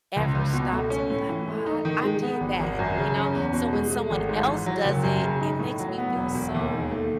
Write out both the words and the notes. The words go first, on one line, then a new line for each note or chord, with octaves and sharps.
ever stop to be, like, "Wow, I I did that." You know? So when someone else does it, it makes me feel so
C#2
C#2
B2
A3
C#4
A2
E3
A3
D#4
D#3
G#3
B3
G#1
G#1
F#2
C#3
C#4
E2
B2
G#3
A3
G#1
G#2
E3
F#3
F#1
F#2
C#3
D#4
A2
F#3
B3
E1
E1
D#2
D#3
A3